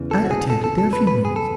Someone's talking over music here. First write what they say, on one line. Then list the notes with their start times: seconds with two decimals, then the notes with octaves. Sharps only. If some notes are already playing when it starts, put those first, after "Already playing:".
I attended their funerals.
Already playing: E2 C#3 E3
0.11 A4
0.24 F#4
0.31 G#4
0.50 A4
0.64 A4
0.78 A4
0.93 B4
1.07 B4
1.25 G#4
1.36 A4